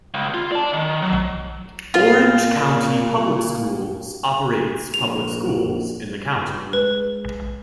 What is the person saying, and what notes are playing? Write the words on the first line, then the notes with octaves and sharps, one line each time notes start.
Orange County Public Schools operates public schools in the county.
C#2
F4
D5 A5
D#3
F#3
A#2 F4
A#1 F7
G2
G#3 B4